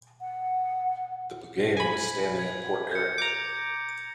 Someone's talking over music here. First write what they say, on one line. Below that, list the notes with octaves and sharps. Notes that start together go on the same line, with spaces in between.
The Buggane was standing at Port Erin.
F#5
G#5 B5
G#6
G6 C#7
A#5 D6